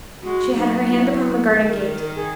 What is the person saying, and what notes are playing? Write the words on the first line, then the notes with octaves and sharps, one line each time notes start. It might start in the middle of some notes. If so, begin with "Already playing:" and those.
She had her hand upon the garden gate.
G#3 F#4
F#3 D#4
F#4
E4
D#3 G#4
A#4
A#4
A#4
G#4